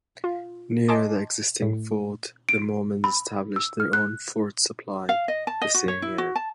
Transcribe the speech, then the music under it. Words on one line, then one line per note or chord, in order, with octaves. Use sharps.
Near the existing fort, the Mormons established their own Fort Supply the same year.
F4
D#5 G#5 A5 C6 D6
A2
D7
B5
E6
F6
F#6
F5
D#5
A5
D#5
F#4
C#5
E4
F#4
A5